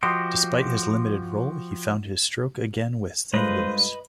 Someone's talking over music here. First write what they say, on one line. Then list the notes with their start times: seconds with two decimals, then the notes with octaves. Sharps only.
Despite his limited role, he found his stroke again with Saint Louis.
0.03 F3 F#4 G4 C5 D#5
3.34 G2 G#3 A3 F4 B4 C5 D#5